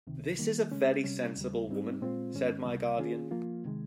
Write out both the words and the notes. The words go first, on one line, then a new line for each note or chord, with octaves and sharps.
"This is a very sensible woman," said my guardian.
C#2 C3 D#3
D#3 G3 A#3
C#3 G#3 C#4
C3 G3 C#4
D#2 C#3 G3
G#2 G3 C4 D#4
A#2 G#3 C4 F4 C5
G#2 D#3 G#3 C#4
C#2 C3 G3
D#3 A#3 C#4 F4 G#4
F3 A#3 F4
C3 D#3 G#3